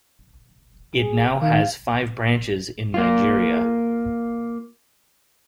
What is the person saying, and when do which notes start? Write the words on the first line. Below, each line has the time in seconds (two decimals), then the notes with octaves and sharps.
It now has five branches in Nigeria.
0.95 G#4
1.41 D#3 F5
2.94 A#3 F4